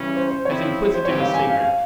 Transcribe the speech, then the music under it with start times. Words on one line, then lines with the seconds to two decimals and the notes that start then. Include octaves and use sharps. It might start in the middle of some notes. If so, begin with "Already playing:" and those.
As inquisitive as secret.'
Already playing: C#3 E3 G3 C#4
0.17 C5
0.31 C5
0.45 F3 C4 E4 C#5
0.94 C5
1.05 G#2 E3 G3 C4 G4 C#5
1.20 F5
1.34 G#5
1.49 F5
1.64 F5